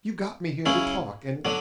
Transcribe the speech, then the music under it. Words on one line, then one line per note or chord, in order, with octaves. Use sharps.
You got me here to talk, and . . .
C#3 F#3 C#4 E4
D3 F#3